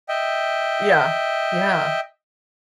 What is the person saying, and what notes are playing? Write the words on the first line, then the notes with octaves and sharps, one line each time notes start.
Yeah, yeah.
D#5 E5 G5